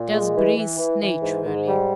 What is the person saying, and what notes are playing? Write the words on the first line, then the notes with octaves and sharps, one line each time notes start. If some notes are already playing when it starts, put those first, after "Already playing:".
"Just breathe naturally."
Already playing: A#2
G#3
E3
E3
E3
E3
G#2
G#2
G3